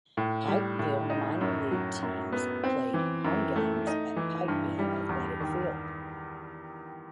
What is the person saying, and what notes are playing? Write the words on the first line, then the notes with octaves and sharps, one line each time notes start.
Pikeville minor league teams played home games at Pikeville Athletic Field.
A2
G3
A2
D#4
F#2
F#3
F#2
B3
C4
E3
F#2
A3
D#4
E3
G2
G3
E2
D#3